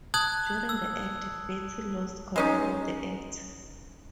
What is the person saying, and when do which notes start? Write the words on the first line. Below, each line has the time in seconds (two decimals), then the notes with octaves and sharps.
During the act, Beatty lost control of the act.
0.14 A5 D#6 F#6 G#6 F#7
0.69 E6
2.36 G#3 C#4 D#4